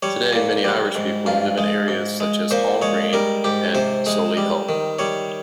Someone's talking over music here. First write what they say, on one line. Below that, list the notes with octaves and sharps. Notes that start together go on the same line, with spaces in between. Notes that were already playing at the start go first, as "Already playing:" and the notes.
Today many Irish people live in areas such as Hall Green and Solihull.
G3 C#5
A#2
G3
G#2
G2 F4
G#3
G#2
G#3
A#2 C5
G#3 C#5
G3 A#4
G#2 G4
C3 C5
G#3
G3
D#3
G3 C#5